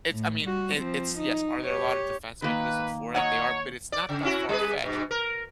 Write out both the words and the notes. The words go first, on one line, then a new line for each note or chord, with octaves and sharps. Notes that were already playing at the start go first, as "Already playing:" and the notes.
it's I mean, it it's yes, are there a lot of defense mechanism for that? They are, but it's not that far-fetched,
A2
G3 F#4
F3 C4
D#4
G4 C#5
D#3 A#3 B4
F#3 C#5 D#5 F#5
D5
C#3
C#4 E4 F#4
G3 G#4 B4
G2 B2
A#4